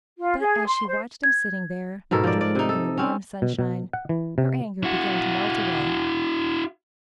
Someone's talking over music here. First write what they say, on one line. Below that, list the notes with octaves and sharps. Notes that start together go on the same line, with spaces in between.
But as she watched him sitting there, dreaming in the warm sunshine, her anger began to melt away.
F4
G#4
C6
C5
G#6
G#2 B2 A4 A#4
F3 D5
D5
C3 D#4
A4
C4 C#4
B2
B2
F#5
E3
C3
E4 F#4